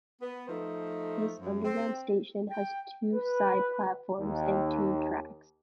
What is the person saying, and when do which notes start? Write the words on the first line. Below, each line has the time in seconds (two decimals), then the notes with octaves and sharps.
This underground station has two side platforms and two tracks.
0.21 B3
0.47 F3 A3 D#4 C5
1.38 F#2
1.64 C4
2.50 G5
3.14 B4
4.21 D#2